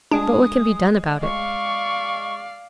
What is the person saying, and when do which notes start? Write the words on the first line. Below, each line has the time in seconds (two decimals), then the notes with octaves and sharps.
But what can be done about it?
0.11 G#3 D4 G#4 D#6
1.23 G#3 D5 F5 C#6